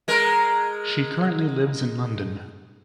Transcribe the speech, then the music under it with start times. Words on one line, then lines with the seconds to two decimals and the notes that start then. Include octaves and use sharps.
She currently lives in London.
0.08 G#3 A#4